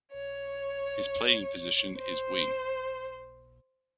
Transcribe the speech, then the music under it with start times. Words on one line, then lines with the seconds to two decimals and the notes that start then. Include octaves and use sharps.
His playing position is wing.
0.13 C#5
1.98 C5